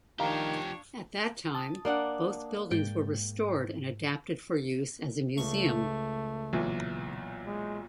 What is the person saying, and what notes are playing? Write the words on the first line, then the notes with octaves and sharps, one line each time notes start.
At that time, both buildings were restored and adapted for use as a museum.
D#3 F3 D4 G4 C#5 F5 A#5
A5 D#6
A#3 D4 F#5
G#2 G5
C#2 A3 C#6
B1 A#2 E3
G#3